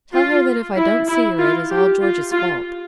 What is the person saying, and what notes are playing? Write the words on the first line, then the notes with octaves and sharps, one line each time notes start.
Tell her that if I don't see her it is all George's fault.
F4
E4
E4
F4
G4
F4
F4